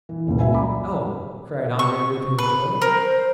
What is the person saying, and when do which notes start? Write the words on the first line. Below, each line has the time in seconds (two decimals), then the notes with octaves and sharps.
"Oh," cried Andrea, leaping with joy.
0.09 E3
0.27 D#1 C#2 A#2
0.39 F#3 E5 G#5
0.54 D5 A#5 B5 D6
1.79 C#6
2.39 B4
2.81 A#4 C5